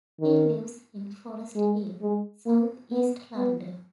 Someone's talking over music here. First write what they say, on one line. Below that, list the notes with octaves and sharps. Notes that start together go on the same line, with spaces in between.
He lives in Forest Hill, south east London.
D#3
G#3
G#3
A#3
B3
B3